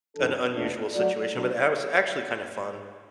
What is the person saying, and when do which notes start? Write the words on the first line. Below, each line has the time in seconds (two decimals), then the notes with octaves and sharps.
an unusual situation, but that was actually kinda fun.
0.15 F#2 E3 D4 A4
0.54 E2 B2 A3 D4
0.93 F#3 A3 F#4 D5
1.32 B2 F#3 D4